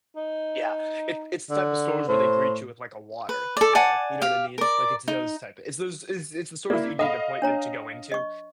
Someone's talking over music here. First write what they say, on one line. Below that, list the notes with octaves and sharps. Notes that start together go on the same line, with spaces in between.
Yeah, it's it's the type of stores where they greet you with, like, a water at the door, you know what I mean? Like, it's those type of it's those, it's it's the stores that you need an appointment to go into,
D#4
D3
A2 C5
B4
A4 D5
D5 F#5 G#5 A5
G4 F5
A#4 D5
D#4
A#3 E4 D5
A4 D#5 F5 F#5 B5
D4 C#5 A#5
D#5 C#6